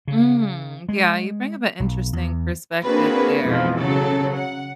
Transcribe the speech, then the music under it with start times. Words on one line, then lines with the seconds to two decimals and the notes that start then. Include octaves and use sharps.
Mm, yeah, you bring up a interesting perspective there.
0.08 C#3
0.89 G#3
1.80 B1
2.13 E2
2.83 A#3 C4 D4 F#4 G#4 B4
3.46 F2 G#2 B2 E3 F3
3.78 C#3 F#3 A4
4.35 F#5